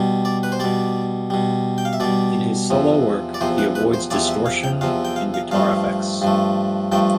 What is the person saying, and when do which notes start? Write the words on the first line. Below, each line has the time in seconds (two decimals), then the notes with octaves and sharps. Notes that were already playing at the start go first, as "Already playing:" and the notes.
In his solo work, he avoids distortion and guitar effects.
Already playing: B2 G3
0.25 D5
0.43 B4
0.52 C5
0.60 B2 G3 D5
1.30 B2 G3
1.78 G5
1.85 F5
1.93 E5
2.00 B2 G3 D5
2.70 E2 C3 F3
3.34 D5
3.41 E2 C3 F3 C5
3.58 B4
3.75 B4
3.94 C5
4.10 E2 C3 F3 D5
4.28 E5
4.46 F5
4.64 G5
4.81 E2 C3 F3 F5
5.05 G5
5.16 F5
5.34 F5
5.51 G2 F3 A3 F5
6.22 G2 F3 A3
6.92 G2 F3 A3 G5